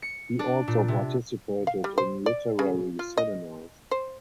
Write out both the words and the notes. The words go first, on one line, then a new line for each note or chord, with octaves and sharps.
He also participated in literary seminars.
C#7
D4
A#2
C3
F5
G3
C5
D5
C#3
F4
D#5
C5